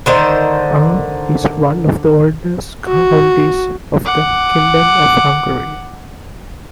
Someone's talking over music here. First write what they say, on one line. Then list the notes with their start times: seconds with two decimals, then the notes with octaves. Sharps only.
Ung is one of the oldest counties of the Kingdom of Hungary.
0.06 D3 D#3 C5
2.86 F#4
4.05 F#5 D6